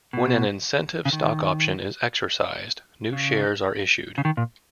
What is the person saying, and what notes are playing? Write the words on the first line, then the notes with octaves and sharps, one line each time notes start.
When an incentive stock option is exercised, new shares are issued.
B2
C#3
D#3
C#3
C#3
D#3
A#2